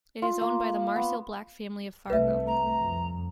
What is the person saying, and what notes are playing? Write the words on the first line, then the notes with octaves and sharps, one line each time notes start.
It is owned by the Marcil-Black family of Fargo.
F4
A#3
B3
C2 A3 B4 E5
A#5
F2